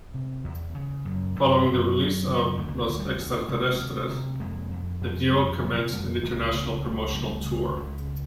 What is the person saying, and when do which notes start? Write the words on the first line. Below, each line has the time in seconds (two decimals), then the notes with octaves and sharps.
Following the release of "Los Extraterrestres" the duo commenced an international promotional tour.
0.14 C3
0.44 E2
0.75 C#3
1.05 F#2
1.36 F#2
1.66 F#2
1.97 F#2
2.27 C#3
2.57 D2 A3
2.68 A#3
2.78 A3
2.88 D2 A#3
2.99 G3 A3
3.19 D2
3.48 C3 G#3 A#3
3.80 D2
4.09 C3
4.40 F2 G#3 A#3
4.71 F2
5.01 F2
5.32 F2 G3 A3
5.62 C3 F#3 G#3
5.92 F2 G3 A3
6.23 C#2 G#3 A#3
6.53 C#3 A3 B3
6.84 C#2 G3 A3
7.14 C#2 G3 A3
7.45 C#3
7.76 C#2